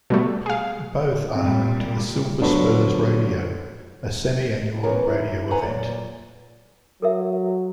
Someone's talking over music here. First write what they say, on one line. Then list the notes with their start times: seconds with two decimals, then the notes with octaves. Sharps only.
Both are home to the Silver Spurs Rodeo a semi-annual rodeo event.
0.10 B2 G3 A3
0.46 G#4 F5
1.35 A#2 G3 C4
2.42 D3 F3 F#3 B3 D4
4.83 E3 F3 B3 C#4 A#4
5.07 D3 E4
5.51 A4 B4 C5 F#5 G#5 A#5
5.63 A#2 F#3 D5
7.02 F#3 A4 A#4 E5